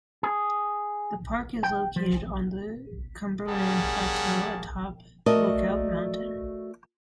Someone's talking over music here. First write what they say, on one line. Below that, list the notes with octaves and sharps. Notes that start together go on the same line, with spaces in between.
The park is located on the Cumberland Plateau, atop Lookout Mountain.
G#4
G5
F3
G3 A#3 C#4 G#4 F#5 A5
A3 F#4 A#4 D5 D#5